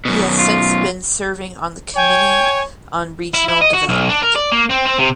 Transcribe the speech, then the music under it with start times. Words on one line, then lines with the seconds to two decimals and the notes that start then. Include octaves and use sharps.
He has since been serving on the Committee on Regional Development.
0.05 F#2 B2
0.38 F4
1.96 C#5 G5 G#5
3.34 E4
3.48 E4
3.61 D#5
3.73 F#4
3.89 B1
4.10 D4
4.23 A#4
4.36 D5
4.52 A#3
4.70 C4
4.86 C4
4.99 C3